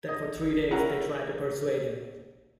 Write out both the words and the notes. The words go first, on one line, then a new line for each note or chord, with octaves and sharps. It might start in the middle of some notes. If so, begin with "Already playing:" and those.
Then for three days they tried to persuade him.
D#5
C#4 E4 A#4 F#5 A#5